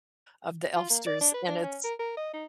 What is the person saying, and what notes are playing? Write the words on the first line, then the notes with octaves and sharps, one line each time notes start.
of the Elfsters and it's
F4
A#3
D5
D4
B4
D4
C#4
A#4
A#4
D#5
D#4